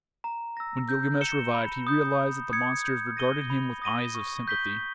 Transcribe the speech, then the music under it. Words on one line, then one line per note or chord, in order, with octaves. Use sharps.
When Gilgamesh revived, he realized that the monsters regarded him with eyes of sympathy.
A#5
E6 A#6
G6
C#7 E7 G7
B5
D#6 G6
B5
D#6 G#6 C#7
G6
A#6 D#7 G7
B5
D#6 A#6 D#7 G7
C#6
G6 B6 G7